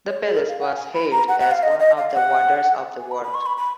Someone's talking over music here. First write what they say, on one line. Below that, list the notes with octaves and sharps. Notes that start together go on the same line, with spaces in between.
The palace was hailed as one of the wonders of the world.
C#5
G#4
A#4
F5
F#5
G#5
B5
A#5
F#5
F#5
F5
D#5
D#5
F5
F5
F#5
G#5
B5
B5
C#6
B5
B5